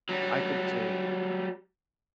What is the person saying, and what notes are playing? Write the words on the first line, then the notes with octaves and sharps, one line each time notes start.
I can tell y
F#3 G3